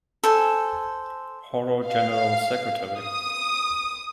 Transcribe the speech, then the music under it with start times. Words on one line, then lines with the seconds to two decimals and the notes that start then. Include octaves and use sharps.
Horo general secretary.
0.24 A4 C5 G#5
1.87 F5
3.00 D#6